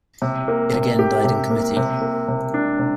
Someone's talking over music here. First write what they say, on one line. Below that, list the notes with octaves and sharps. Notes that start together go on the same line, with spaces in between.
It again died in committee.
C3
A#3
C3
G4
C3
A#3
C3
A#3
C3
D4
C3